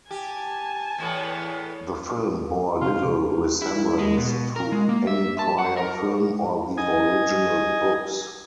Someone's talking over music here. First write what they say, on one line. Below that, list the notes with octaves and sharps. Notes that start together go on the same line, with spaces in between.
The film bore little resemblance to any prior film or the original books.
G4 G#5 A5
E2 A2 B3
C3 F4
E4
G#3
B2
A#4
G#3
A#3
E5
A5
F#5
A#4
D#5 G#5